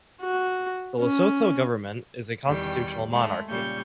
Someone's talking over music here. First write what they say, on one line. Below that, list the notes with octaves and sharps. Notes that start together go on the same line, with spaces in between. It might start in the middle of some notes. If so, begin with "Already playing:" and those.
The Lesotho Government is a constitutional monarchy.
F#4
C#4
E2 D#3 G3 G4 G5
G#3 A3
A#2 C#3 G3 C#6 G6